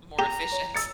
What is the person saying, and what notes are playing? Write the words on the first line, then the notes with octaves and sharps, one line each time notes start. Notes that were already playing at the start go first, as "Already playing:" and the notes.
e more efficient.
G4 A#5
C#5
E6 A6 C#7